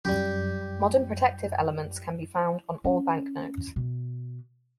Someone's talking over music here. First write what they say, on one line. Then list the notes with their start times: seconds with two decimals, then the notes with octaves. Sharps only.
Modern protective elements can be found on all banknotes.
0.05 F#2 G3 G4
2.84 C#4
3.76 B2